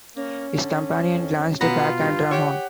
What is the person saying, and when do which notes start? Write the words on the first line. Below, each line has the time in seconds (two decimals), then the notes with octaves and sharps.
His companion glanced back and ran on.
0.16 A#3 C#4
0.59 D3
1.12 F2
1.61 B2 B3 F4 A#5
2.00 G2
2.31 G4 C#5 F#5